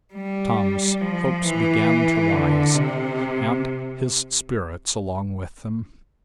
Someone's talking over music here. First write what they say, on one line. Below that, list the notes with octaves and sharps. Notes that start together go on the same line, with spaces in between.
Tom's hopes began to rise, and his spirits along with them.
G3
F3
E3
D3
C3